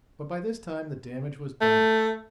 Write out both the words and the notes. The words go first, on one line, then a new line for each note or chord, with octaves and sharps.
But by this time the damage was done.
A3